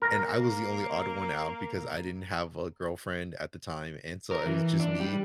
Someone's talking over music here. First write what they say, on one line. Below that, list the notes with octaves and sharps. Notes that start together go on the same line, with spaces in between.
and I was the only odd one out because I didn't have a girlfriend at the time, and so it was just me.
A#3 A#4 A#5
A#4
E3
D4
G3